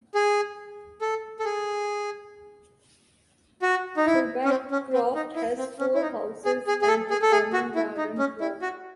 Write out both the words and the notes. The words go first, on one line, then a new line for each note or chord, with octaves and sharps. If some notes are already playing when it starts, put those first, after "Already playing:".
Firby Croft has four houses and a common garden plot.
G#4
A4
A4
G#4
F#4
D#4
E4
C#4
C4
C#4
C4
D#4
E4
C4
C#4
E4
D#4
G#4
G#4
G#4
A4
G#4
A4
G#4
F#4
E4
D#4
C#4
E4
F#4